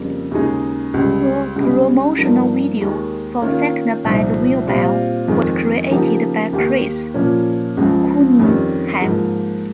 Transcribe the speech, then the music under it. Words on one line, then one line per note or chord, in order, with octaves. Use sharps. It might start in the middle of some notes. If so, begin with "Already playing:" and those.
A promotional video for "Second Bad Vilbel" was created by Chris Cunningham.
Already playing: F2 C#3 G3 A#3
D#2 C#3 G#3 D#4 G#4
C#2 C#3 G3
C#2 C#3 G3
G2 F3 A#3 D#4
D#2 D#3 G#3
D#3 A#3 C#4 F4
C2 A#2 F3 C4 D#4
A#2 G3 C4 F4
F2 D#3 G#3
C#3 F3 A#3 D#4 G4
D#2 D#3 A#3 D#4 G4
A#2 F3 A#3 C#4
C#2 C#3 F3
F2 D#3 G3 C#4
G#2 F3 A#3